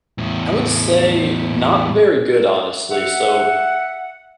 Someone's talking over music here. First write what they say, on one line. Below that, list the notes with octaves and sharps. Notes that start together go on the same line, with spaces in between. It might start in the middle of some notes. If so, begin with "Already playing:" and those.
I would say, not very good, honestly, so,
E2 A2
E5 F#5